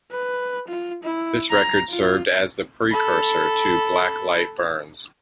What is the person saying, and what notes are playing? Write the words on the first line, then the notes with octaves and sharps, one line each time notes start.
This record served as the precursor to Black Light Burns.
B4
F4
E4
A#5
F4
A4 B5